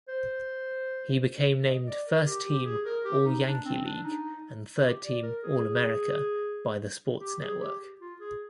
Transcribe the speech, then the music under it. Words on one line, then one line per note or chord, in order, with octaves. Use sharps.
He became named first-team All-Yankee League and third-team All-America by The Sports Network.
C5
D#5
D5
A#4
G4
G4
G#4
A#4
G4
D#4
D4
C4
D4
D#4
G4
D5
A#4
G#4
G4
G#4
G4
F4
G#4